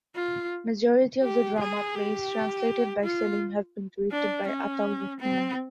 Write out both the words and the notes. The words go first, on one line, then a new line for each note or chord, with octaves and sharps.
Majority of the drama plays translated by Selim have been directed by Ataur Rahman.
F4
G4
G#4
G4
F4
D4
C#4
C4